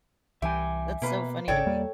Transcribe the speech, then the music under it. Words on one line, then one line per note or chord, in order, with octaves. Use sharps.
That's so funny to me.
C2 E3 G4 E5 G#5
B2 A#3 B4
G#1 C#3 A4 C#5 D5 G5
E2 G3 A#3